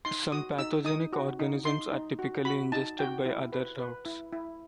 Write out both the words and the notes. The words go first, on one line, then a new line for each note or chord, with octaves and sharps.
Some pathogenic organisms are typically ingested by other routes.
D#4 C6
F#4 D#6
D#4 E6
D#4 D#6
F#4
D#4
D#4 C6
D#4
F#4
F#4 B5
D#4 A5
F#4 G5
E4
B4
B4
E4
E4